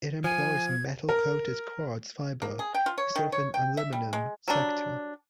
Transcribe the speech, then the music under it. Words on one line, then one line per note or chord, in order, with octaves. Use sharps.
It employs a metal-coated quartz fiber instead of an aluminum sector.
F3 G#5 G#6
A#4
A#3
G#4
G5
F4
C#5
D#3
C#5
G5
E5
G3
G#3
F#3 G3 D4